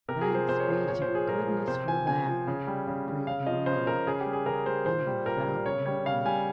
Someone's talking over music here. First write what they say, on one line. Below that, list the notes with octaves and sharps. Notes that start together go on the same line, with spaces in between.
"Thanks be to goodness for that," breathed Marilla in devout relief.
C3 A#4
G#4
F3
C5
C3 C5
C#5
F3 C5
A#2 C#5
C5
F3
G#4
A#2 A#4
F3
C3 C5
F3 G#5
C3 G#5
F3
C#3
G3
C#3
G3
C#3 F5
F3 D#5
C#3 C5
F3 A#4
C#3 G#4
G4
G3
G#4
C#3 A#4
G3 C5
A#2 C5
G3
A#2 A#4
G3
C#3 C#5
G3 C#5
C#3 F5
G3 G#5